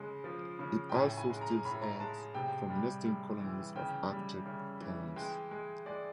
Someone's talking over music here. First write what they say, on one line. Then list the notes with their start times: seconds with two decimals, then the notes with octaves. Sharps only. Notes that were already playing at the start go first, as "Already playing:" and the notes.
It also steals eggs from nesting colonies of Arctic terns.
Already playing: C#3 G#3
0.24 F3
0.59 C#3
0.89 G5
0.95 A2 G#5
1.17 G#5
1.30 G#3
1.41 A#5
1.65 A2 B5
1.82 A#5
2.00 G#3 A5
2.34 C3 G5
2.70 G3
3.05 G3
3.40 E3
3.76 C#3 G5
4.10 G3
4.46 C#3
4.81 E3
5.16 G#3 G5
5.51 G#3
5.86 G#3 D5